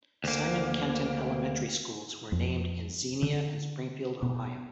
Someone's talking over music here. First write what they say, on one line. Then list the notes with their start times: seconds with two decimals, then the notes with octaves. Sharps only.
Simon Kenton Elementary Schools were named in Xenia and Springfield, Ohio.
0.24 D2 A#3
2.32 F2
3.22 D3
4.22 B2